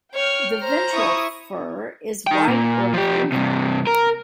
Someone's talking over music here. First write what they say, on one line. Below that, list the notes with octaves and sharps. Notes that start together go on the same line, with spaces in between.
The ventral fur is white or cream-colored.
C#5 G5 F6
C5 A#5
E4 C#6 D#6
D#4 G5
A#2
F3 G4
G2 C3
A#4